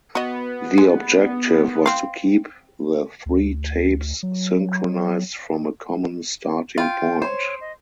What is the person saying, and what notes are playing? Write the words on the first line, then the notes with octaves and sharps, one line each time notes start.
The objective was to keep the three tapes synchronised from a common starting point.
B3 F#4 D#5
G#3
C4 F5
D2
F#3
F4 G5
C5 C#5
D#5